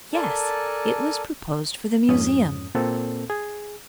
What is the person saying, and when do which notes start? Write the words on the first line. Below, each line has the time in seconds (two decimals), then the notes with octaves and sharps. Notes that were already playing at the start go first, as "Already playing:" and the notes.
"Yes; it was proposed for the Museum."
0.13 A4 A#4 D5 G#5 A5
2.09 F2 G#2 C#4 D#6
2.75 A#2 A#3 C4 A4
3.30 G#4